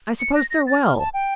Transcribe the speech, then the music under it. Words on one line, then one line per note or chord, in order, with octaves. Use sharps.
'I suppose they're well.
C#7
A#6
A#6
A6
F6
A5
G5